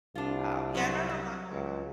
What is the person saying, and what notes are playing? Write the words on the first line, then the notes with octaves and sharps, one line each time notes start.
um, yeah, I've got a lot going on.
C2 D4 F4
F#3 C4
F#3
C#2